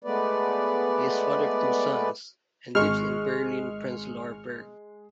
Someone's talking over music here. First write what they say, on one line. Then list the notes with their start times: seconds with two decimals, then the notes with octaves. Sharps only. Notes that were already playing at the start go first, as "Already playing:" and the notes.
He is father of two sons and lives in Berlin-Prenzlauer Berg.
0.04 G#3 A3 B3 B4 D5
2.75 G#1 G#3 C#6 F6